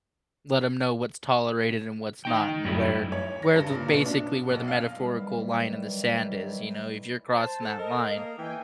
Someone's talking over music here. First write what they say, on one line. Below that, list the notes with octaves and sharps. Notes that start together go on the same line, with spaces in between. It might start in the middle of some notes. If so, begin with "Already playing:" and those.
Let 'em know what's tolerated and what's not and where where the basically where the metaphorical line in the sand is. You know? If you're crossing that line,
D#4 G5
F#2 G3 A3 E4
C#5
A#6
G2
A#2
B2
D4
B1
F5
D#3 E3 F#3 G3
C5 A5
A4
A#4 D#5
A#3
E3 G5 G#5